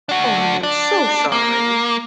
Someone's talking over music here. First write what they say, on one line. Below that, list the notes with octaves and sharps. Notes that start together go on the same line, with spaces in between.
Oh, honey, I'm so sorry.
D4 F#4
D4
A#3